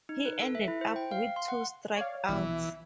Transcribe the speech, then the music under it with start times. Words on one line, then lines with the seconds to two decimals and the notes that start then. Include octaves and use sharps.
He ended up with two strikeouts.
0.09 D#4
0.25 B4
0.41 A4
0.55 E5
0.68 E4
0.81 C5
0.96 G5
1.11 F5
1.36 C6
1.48 F#5
1.96 C#5 D5 F5
2.28 A#1 B2 E3